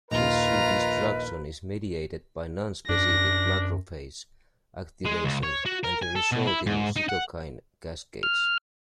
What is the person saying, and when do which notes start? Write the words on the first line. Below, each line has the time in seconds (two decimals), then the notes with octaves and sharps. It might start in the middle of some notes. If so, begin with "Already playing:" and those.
Tissue destruction is mediated by non-specific macrophage activation and the resulting cytokine cascades.
0.11 A#1 D#2 F4 A#4 B4 D#5 A#5
2.89 F#2 D4 A#6
5.05 G#3
5.25 C#2
5.43 C#5
5.66 F#4
5.84 A#4
6.03 G#5
6.16 A4
6.32 B2
6.47 E4
6.66 G#2
6.96 D#4
7.09 F#5
8.23 F6